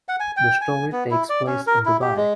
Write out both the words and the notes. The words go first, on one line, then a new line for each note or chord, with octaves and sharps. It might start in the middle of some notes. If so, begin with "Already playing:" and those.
The story takes place in Dubai.
F#5
G#5
G5
G#5
B3
E4
D5
C#4
A#4
E4
G4
G#3